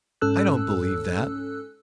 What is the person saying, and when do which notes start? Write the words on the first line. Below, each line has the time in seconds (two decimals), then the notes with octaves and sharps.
"I don't believe that."
0.21 G#2 C#4 A4 E6 F#6